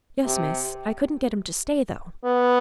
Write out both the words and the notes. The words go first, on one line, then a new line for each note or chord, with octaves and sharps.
"Yes, miss, I couldn't get him to stay though."
C3
B3